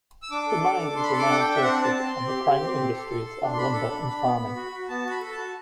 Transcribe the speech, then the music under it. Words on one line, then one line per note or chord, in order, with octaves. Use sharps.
The mines are now exhausted and the primary industries are lumber and farming.
E6
D4 D6
A4
D6
A4
D6
D4
D4 C6
B5
A4 C6
D6
D4 F#5
G5
D4
E5
C4 F#5
C4
A5
C4
C6
C4
G4
G4
C4
G4
A4
A4
A4
D4
C6
D4 B5
A4
D4
D4
B3
B3
F#4
F#4
B3 A5
F#4
B5
A4
A5
F#4